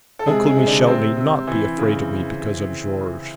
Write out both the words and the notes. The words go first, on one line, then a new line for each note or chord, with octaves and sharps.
Uncle Michel need not be afraid of me, because of George.'
A4
C3 G#3 G#4
G#3 G#4
C3
D3 D4
C3 C4
C3
E3
C#3